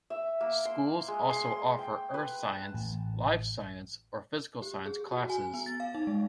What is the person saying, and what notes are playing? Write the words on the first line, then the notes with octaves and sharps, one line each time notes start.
Schools also offer Earth Science, Life Science, or Physical Science classes.
E5
A#3
C6
G#3
C6
C6
G5
B4
A5
A1
G4
G#4
F#4
G#5
B3
A6
F5
D#4
G#3